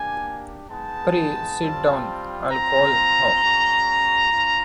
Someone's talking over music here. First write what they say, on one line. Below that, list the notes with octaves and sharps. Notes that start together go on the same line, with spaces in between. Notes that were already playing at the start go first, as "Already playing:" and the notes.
Pray sit down, I'll call her.
Already playing: A#3 D4 G4 G#5
G#3 B3 D#4 A5
G3 C4 F4
C4 F4 A#5
G#3 C#4 F#4
C#4 F4